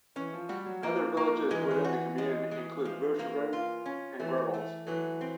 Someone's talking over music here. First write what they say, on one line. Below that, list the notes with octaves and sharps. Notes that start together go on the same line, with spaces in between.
Other villages within the commune include Buschrodt and Grevels.
E3 C#4
F3
G3 F#4
F#3
F3 A#3
A#3
E3 G#3
D#3
E3
F#4
G#3
G#3
F3
A#3
F4
C#4
E3 A3
A3
E3 F#3
C4